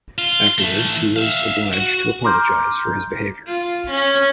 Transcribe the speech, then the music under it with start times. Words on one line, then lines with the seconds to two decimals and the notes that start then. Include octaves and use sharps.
Afterwards, he was obliged to apologize for his behaviour.
0.18 F4
0.58 E3 A3
1.16 E5 F5
1.73 F#4
2.24 A#5 C6 D6 F6 G6
3.48 F4
3.90 C#4